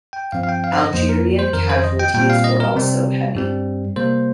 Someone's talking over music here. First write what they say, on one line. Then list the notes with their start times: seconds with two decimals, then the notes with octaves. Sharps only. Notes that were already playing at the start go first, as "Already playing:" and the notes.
Algerian casualties were also heavy.
0.13 G5
0.32 G2 F3 C4 F5
0.43 F5
0.49 G5
0.64 F5
0.73 C5
0.78 D#5
0.93 F2 F3 A#3 C5
1.09 A#4
1.39 C5
1.53 F2 D#3 C4 A#4
1.70 C5
1.84 D#5
1.99 G5
2.14 A#2 G3 C4 G5
2.30 F5
2.44 D#5
2.60 A#4
2.76 C3 G3 C4
3.35 G2 G3 C4
3.96 C3 G3 A#3 C5